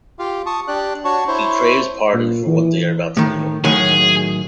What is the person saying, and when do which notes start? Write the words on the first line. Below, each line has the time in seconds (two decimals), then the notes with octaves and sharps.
He craves pardon for what they are about to do.
0.19 F4 G4 F5
0.46 A5 C#6 D#6
0.68 D4 G4 D5 F#6
1.05 D4 F#4 C#5 A5 C#6
1.27 E4 C5 C#5
2.14 A#2
2.46 E3
3.17 A2 D#3
3.64 A2 D#3 F#3 G#4